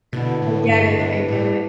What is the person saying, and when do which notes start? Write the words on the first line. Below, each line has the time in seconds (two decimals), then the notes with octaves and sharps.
I get it, I get it,
0.13 B2 D3 B3 E4
0.41 A2
0.63 A2
0.70 G2
0.99 G2 E3 B3 D4 G4
1.28 A2